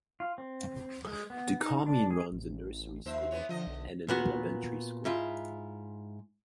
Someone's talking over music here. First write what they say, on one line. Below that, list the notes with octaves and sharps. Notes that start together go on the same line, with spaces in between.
The commune runs a nursery school and an elementary school.
F4
C4
G#3
B3
D#4
D4
G#4
A1
D#2 F3 C5 E5
E2 E3 B3 C#5
D3 F3 D#5
B1
A#2 B3 F#4
G#2 E4 F4